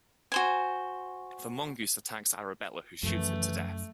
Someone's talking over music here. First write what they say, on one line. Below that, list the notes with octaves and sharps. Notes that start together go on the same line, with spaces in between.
The mongoose attacks Arabella who shoots it to death.
F#4 C5 G#5
F#2 C#3 E3 F3 A3